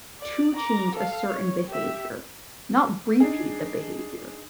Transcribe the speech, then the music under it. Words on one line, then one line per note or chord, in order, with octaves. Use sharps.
to change a certain behavior, not repeat the behavior.
D5
A#5 D6
A4 F5
C#5
G4 E5
D4 D#4 G#4